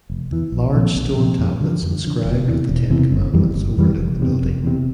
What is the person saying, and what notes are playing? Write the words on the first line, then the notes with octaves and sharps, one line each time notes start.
Large stone tablets inscribed with the Ten Commandments overlook the building.
F1
E2 E3
A#1
A#2 F3 C4
A#1
A#2 F3 C4
F2
D3 F3
F2
D3 F3
E1
E2 C3 E3
E1
E2 C3 E3
G1
F2 E3 G3
G1
F2 E3 G3
F1
E2 C3
F1
E2 C3